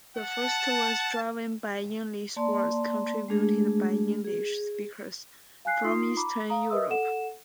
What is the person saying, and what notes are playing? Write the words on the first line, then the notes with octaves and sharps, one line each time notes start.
The first was driven by Yinglish words contributed by Yiddish speakers from Eastern Europe.
F#5 A5
A#3 D5 A5 C6
G#3 A3 D4 G#4
G#4
F5 G#5 F#6 C7
D#4 F4 C6 D#6 C7
A#5 B5 D6
F5 A#5 D#6
A#4 B4 D#5 E5 D#6 E6
A4 F#5 E7